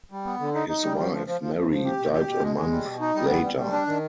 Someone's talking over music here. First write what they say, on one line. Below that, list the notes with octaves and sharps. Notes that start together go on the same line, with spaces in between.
His wife, Mary, died a month later.
G3
B3
D3
D#4
D#4
G3
F3
F3
F3
F3
F3
F3
G4
B2
G4
B2
G#3
G#3
G3
B2
D#4
G3
B3
G3
G3
D4
D#3